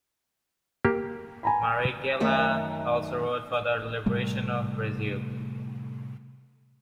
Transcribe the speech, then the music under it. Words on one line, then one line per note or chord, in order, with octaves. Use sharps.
Marighella also wrote "For the Liberation of Brazil".
A#3 G4
G#5 A#5 B5
F#2 D#3 A3 E5
A2 C3 G3 A3